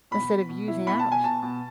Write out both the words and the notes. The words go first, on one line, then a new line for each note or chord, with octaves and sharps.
instead of using ours,
B2 B5
B2
B2
E4
B2 B5
A5
B2
G#5
B2 A5
B2